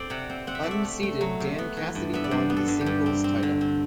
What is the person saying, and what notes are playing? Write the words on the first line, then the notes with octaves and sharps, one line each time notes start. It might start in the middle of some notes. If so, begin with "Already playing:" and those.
Unseeded Dan Cassidy won the singles title.
Already playing: C4 A4 C5 D5
C3 F#5
C4
C4 F#5
E5
A3 D5
E5
A3
A3
F#3
C3
B3
E3
G2
B3 E5
D5
G2 C5
B3
A4
G2
G4
G2
C4
C4
D3
C4